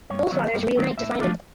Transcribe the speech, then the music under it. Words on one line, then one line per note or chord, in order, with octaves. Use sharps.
Both fathers reunite to find him.
G2 C#5
D#3 F#3 B3
G2
D#3 F#3 B3
A2 E5
F3 A3 D4 F4